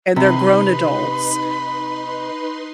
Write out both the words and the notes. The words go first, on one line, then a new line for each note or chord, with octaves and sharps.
and they're grown adults.
C3 D#4 B4 B5 C6